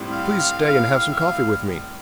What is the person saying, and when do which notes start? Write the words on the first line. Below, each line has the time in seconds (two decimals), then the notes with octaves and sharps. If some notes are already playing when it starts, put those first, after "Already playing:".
"Please stay and have some coffee with me."
Already playing: A2 G3 C4 E4
0.11 F5
0.38 F5
0.65 F5
0.93 F5
1.12 E5
1.20 F5